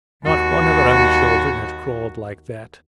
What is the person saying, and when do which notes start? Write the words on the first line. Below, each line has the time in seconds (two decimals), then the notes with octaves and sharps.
Not one of her own children had crawled like that.
0.25 D#2 F#4